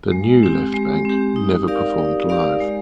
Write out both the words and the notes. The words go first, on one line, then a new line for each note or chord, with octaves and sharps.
The "New" Left Banke never performed live.
G#3
C4 G4
G#3
C4 G4
D#4
G4 A#4 D5 F5
D#4
G4 A#4 D5 F5
G#3